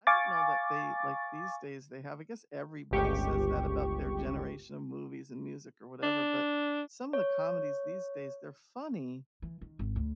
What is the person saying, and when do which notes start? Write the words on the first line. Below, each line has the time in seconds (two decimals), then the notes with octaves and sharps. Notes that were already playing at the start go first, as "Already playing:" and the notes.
I don't know that they like, these days, they have I guess everybody says that about their generation of movies and music, or whatever, but some of the comedies these days, they're funny,
0.07 F5 G#5 C#6 D6 A6
2.91 G1 C#2 G4 C#6
6.03 D4
7.13 C#5
9.42 E3
9.62 D#3
9.79 G#1
9.96 D2